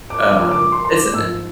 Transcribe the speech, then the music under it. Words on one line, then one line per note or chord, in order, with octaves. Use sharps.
um, it's, uh
D6
F2 D3 F3 D6
D6
C6
C6
D6
G#2 F3 E6